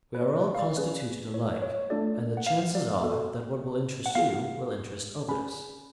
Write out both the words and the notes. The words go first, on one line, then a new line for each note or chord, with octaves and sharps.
We are all constituted alike, and the chances are that what will interest you will interest others.
B4
C#5
D5
F5
D5
C#4 G#4 B4
C#5
C#5
A3 D4 F4 A4 D5
F#5
F5
D5
B3 F#4 A4
F#5
B3 F4 G#4 F5
C#4 G#4 B5